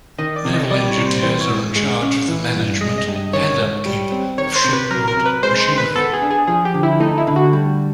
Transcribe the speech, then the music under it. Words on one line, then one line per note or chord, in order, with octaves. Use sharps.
Naval engineers are in charge of the management and upkeep of ship-board machinery.
D#3 D#5
D5
C3
D#5
G3 D5
C#5
C3
C5
E3 C5
C#5
G#2
G#3
C#4
E3
G2
G#3 D#5
D#5
G2
D#5
D#3 C#5
G#2
G3
C4
D#3 C#5
C5
C3
B4
F#3 A#4
A#4
C3
B4
G#3 C5
C5
D#3
B4
B3 A4
G#4
D4
G#4
F3 G#4
G4
D3
E4
A3 D#4
E4
D3
F#4
G3